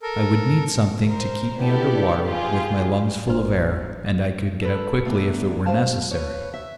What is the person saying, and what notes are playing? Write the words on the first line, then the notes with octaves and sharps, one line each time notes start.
I would need something to keep me under water, with my lungs full of air, and I could get out quickly if it were necessary.
A4 A#4
A#4 C5
B3 D4 E4 G4 A4 D5
F4 G4 G#4
G#1 A2 D4 A#4 C5 F6
A4 B4
A3 B3 D4 A#4
G2 A#2 F4 C5 F5 A5
B4 C#5
E5